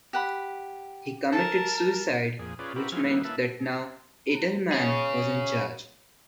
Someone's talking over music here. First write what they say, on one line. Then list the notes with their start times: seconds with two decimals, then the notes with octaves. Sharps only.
He committed suicide, which meant that now Edelman was in charge.
0.13 G4 F#5 B5
1.32 A4 A#4 A5
2.39 F2 A#2 G#4
2.59 C#4 F4 G#4 B4 D5
2.76 C4 E4 F#4 G4 A#4 B4
2.92 F3 F#3 E4 G#4 C5 F6
3.04 D#3 G3 A#3 B3 E4
3.25 A#3 E4 B4 E5 A5
4.73 G#4 C#5